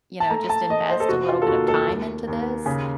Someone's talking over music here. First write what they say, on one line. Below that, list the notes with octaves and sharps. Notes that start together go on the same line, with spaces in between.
you know, just invest a little bit of time into this?"
A5
A3 A#5
A5
A3 D#5
C5
A4
F1 F#4
F4
A4
D#2 F#4
A4
D#2
D#2
C#3